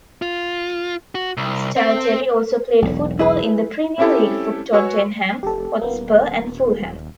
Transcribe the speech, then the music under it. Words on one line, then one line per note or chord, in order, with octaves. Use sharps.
Stalteri also played football in the Premier League for Tottenham Hotspur and Fulham.
F4
F#4
C2
C4
E1 B1
E4 G#4 B4
C4 C#4 E4 G4 A4
F#4 B4 C#5 G#5 C#6 E6
F1 G4 A4
D#1 A#3 B3